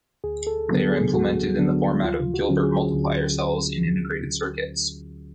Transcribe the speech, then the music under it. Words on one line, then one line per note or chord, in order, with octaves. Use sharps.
They are implemented in the format of "Gilbert multiplier cells" in integrated circuits.
D2 G#4
A4
D3 F#3 B3 D4
G#4
D2 F#4
D3 F#3 B3 D4
D2 F4
F#4
D3 F#3 C#4
G#4
D2